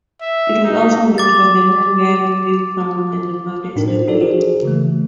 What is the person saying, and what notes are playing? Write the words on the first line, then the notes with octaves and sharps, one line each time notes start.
It was also endorsed by governor Gavin Newsom and "The Modesto Bee".
E5
D#4
D6 A6
A2 D4 D#4 A#4
D4 C5
D4 D#4 F#4 A4 A#4 D5
F#4 G#4 A#4 C5
C#3 E3 A3